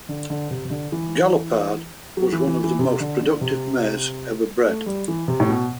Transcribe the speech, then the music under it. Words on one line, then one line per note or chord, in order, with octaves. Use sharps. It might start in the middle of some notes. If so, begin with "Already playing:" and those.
Galopade was one of the most productive mares ever bred.
D3
D3
C3
C3
D3
E3
F#3
E3
E3
E3
C3
D3
D3
C3
A3
G3
E3
C3
A2
B2